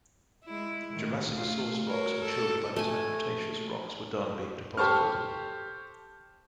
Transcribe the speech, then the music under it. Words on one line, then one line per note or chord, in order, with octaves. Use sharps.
Jurassic source rocks matured by the time Cretaceous rocks were done being deposited.
G#3 E4
A2 D#3
A3 F4
F#4 A#4 C#5
A4
A3 G#5
G4 A4 C5 A5 C#6 F6